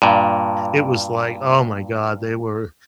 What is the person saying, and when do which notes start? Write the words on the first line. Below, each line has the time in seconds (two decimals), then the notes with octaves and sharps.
it was like oh my god, they were
0.02 G2 A#2